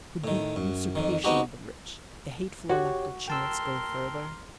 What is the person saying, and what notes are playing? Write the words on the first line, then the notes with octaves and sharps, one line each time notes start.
Could the usurpation of the rich, the hateful elect of chance, go further?
A2 D#3
F#2
F2 D#3
G#3 B3 C4 D#4 F#4 G4
F#4 G4 C#5
A#4 G5 A5 C6 E6